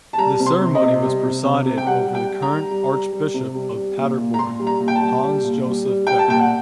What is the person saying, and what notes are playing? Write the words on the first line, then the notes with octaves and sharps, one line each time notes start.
The ceremony was presided over by the current Archbishop of Paderborn, Hans-Joseph Becker.
A5
G3 A#5
C3
C6
C3
D#5
C3
G3
C3
C3
C3
G5
G3 F#5
G3
G5
G3
A#5
G3
G3
G3
G3
C3
G3
G3
A#2
A#2
A#5
A#2 C6
G3
A#5
A#2
G5
A5
G3
G3
A#2
G3
G3
G3 G5
A5
A#2 G5
F#5